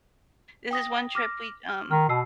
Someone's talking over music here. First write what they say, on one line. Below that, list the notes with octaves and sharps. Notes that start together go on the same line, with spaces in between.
This is one trip we, um
G5 D#6 A#6
D6 F6 A#6
F6
D#3 F6
B2 A5 E6 C7